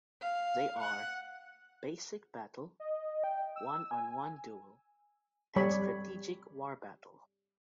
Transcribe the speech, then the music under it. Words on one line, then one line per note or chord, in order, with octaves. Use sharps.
They are: 'Basic Battle', 'One-on-one Duel' and 'Strategic War Battle'.
F5
F#5
D#5
G5
E6
G#5
G3 C#5 B5